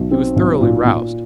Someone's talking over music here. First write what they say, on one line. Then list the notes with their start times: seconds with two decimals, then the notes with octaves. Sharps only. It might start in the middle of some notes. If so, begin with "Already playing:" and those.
He was thoroughly roused.
Already playing: B1
0.11 C4
0.36 B1
0.61 A#2
0.85 A#2